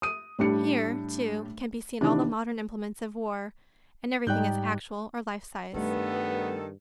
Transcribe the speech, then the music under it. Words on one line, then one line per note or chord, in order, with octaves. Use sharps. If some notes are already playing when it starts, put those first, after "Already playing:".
Here, too, can be seen all the modern implements of war and everything is actual or life size.
D#6 D#7
A2 G3 D4 G4 C#7
C3 D#3 E3 D4
G#2 G3 D#4 G4 D5 G5 F#6 G6
G2 D#3 G3 A3 B3 A4